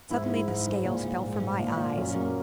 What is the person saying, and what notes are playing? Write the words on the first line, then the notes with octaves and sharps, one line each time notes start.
Suddenly the scales fell from my eyes.
G#2 E4
E4
G#2
E4
G#2 E4
G#2
A#2
A#2
G#2
G#2
A#2
A#2
F#2 C#4
F#3 A#3